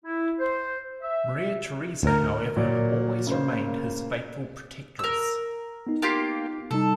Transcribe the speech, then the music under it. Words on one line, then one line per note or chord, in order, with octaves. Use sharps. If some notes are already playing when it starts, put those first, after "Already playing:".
Maria Theresa, however, always remained his faithful protectress.
E4
C5
E5
D2 A#4
A#2 F#3 D5
C#3 A#3 C5
A#4 E6
B3 D#4
A#3 F4 G4
C3 G3 D#4 A4